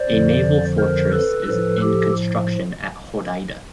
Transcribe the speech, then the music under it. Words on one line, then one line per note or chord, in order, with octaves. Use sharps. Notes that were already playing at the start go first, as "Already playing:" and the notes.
A naval fortress is in construction at Hodeida.
Already playing: C5 D5
F2 D3 F3
A#4 C5
A4 B4
A2 F3 A4 B4
G4 A4